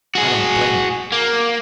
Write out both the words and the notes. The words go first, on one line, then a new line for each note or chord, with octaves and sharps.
I don't blame you.
F#4 G#4
A#3